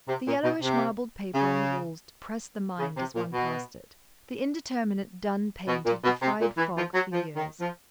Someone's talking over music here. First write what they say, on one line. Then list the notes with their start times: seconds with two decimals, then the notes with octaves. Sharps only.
The yellowish marbled paper on the walls depressed the mind as one passed it; the indeterminate dun paint had defied fog for years.
0.08 C3
0.27 A#2
0.44 B2
0.62 C3
1.35 C#3
2.79 C#3
2.97 C3
3.15 A#2
3.33 B2
5.68 B2
5.86 A#2
6.04 B2
6.22 C3
6.40 A#2
6.58 E3
6.76 F3
6.94 F#3
7.12 F3
7.36 D#3
7.60 F3